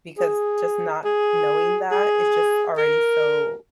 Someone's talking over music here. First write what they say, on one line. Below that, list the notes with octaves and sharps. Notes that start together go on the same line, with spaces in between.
because just not knowing that is just already so,
G#4
G#4
G#4
A#4